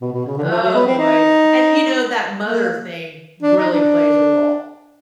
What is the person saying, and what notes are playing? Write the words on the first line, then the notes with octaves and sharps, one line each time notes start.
Oh boy, and, you know, that mother thing really plays a role,
B2
B2
C#3
D3
E3
F3
F#3
B3
C4
D#4
A#3
D4
D#4
D4